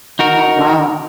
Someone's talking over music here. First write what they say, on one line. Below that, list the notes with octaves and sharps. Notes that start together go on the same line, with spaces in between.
Oh, wow.
D#4 F#4 A#4